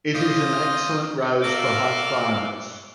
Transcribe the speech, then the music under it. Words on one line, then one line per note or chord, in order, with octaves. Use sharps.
It is an excellent rose for hot climates.
F4 C5 D5 D#5
F#4 A4 A#4 D5 E5 F5